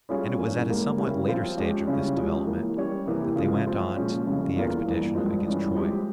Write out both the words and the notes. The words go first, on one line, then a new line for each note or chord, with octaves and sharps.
And it was at a somewhat later stage of this development that they went on the expedition against Troy.
G3 C#4 F4 G#4 C#5
G2 E3 A#3 C#4
G#2 G3 A#3
C#3 G3 C#4 E4 G4
F3 C4 F4
F3 G#3 C#4 G4
C#3 G3 C#4 E4
F3 G#3 C#4 G4
E3 A#3 E4
G3 C#4 G4 C#5
C3 E3 A#3 E4 G4
C#3 F3 G#3
F3 C4 F4
A#2 F3 G#3 C#4
F2 C#3 G3 C#4 E4
E2 E3 A#3 F4 A#4
G2 E3 A#3
G2 F3 G#3 C4
G2 E3 G3 C#4
F3 G#3 C4 G4